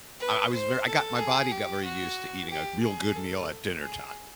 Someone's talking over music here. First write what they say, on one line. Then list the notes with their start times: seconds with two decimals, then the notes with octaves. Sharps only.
I I was very I got my body got very used to eating a real good meal at dinner time.
0.20 B4
0.53 C5
0.87 A4
1.18 G#4
1.51 G4
1.84 F#4
2.50 G4
2.83 G#4
3.16 A4
3.81 G#4